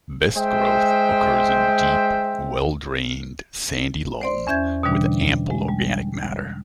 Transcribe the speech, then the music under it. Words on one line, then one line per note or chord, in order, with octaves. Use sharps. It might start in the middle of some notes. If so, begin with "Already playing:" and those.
Best growth occurs in deep, well drained, sandy loam with ample organic matter.
G#3 C5 E5 G5
C5 D5 C6
E2 C#4 E5 G6 G#6
B2 D3 E3 G3 D4
G#3
G3